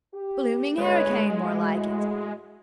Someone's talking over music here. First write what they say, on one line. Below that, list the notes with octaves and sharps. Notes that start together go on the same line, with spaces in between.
Blooming hurricane, more like it.
G4
G1 G#3 B4 C#5
A2 E4 F#4